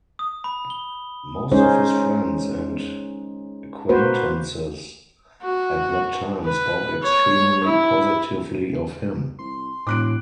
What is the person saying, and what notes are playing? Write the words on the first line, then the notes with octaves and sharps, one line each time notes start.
Most of his friends and acquaintances at that time spoke extremely positively of him.
D#6
B5
G7
G#3 C#4 D#4 G#4 C5
A#3 F#4 B4 C5
F#4
B4
C#5
E4
C2 C6
E1 A2 D6 F#6 D7